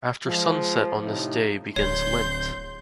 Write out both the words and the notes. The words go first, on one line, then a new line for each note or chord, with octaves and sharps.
After sunset on this day begins Lent.
F3 G#3
A2 C3 F3 D#4
D1 C#5 C6 G6